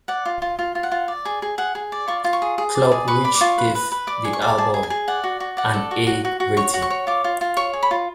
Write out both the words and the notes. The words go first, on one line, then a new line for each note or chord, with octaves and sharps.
Club, which gave the album an A- rating.
D5 F#5
F4
F4
F4
F4
F#5
F4
D5
G#4
G#4
G#4 F#5
G#4
D5
F4 C#6
F4
C#6
G#4
G#4
D5
G#4
B4 C#6
D5 B5
D6
F4 C#6
B4
B4
B4
D5 D6
G#4
C#6
D5
G#4 A5
G#4
G#5
G#4
D5 F#5
F#4
F#4
D5 F#5
A4
F#4
F#4
F#4
F#4
C#5 C#6
F#4
C#6
C#5
F4 D6
F4
F4
C#5 C#6
G#4
B5
F4